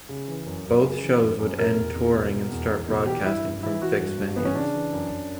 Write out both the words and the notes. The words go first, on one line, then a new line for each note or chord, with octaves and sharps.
Both shows would end touring and start broadcasting from fixed venues.
C#3
E3
F#2
F#2
C#3
E3
F#2
F#2
B2 A#4
E2
E2
B2
B2
E2
E2
B2
E3 G4
G2 E4
G2
E3 E4
E3 F#4
G2
G2
E3 B3
C#4
C#3 D4
E3
F#2
F#2